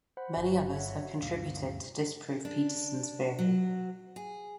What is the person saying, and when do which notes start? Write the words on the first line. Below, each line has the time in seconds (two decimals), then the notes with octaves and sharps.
Many others have contributed to disprove Petersen's theory.
0.17 C5 F#5 B5
0.37 G1
0.72 C#5 E5 F#5
1.22 D2 G2 B2 F5
2.45 D4
3.39 F#3
4.16 G#4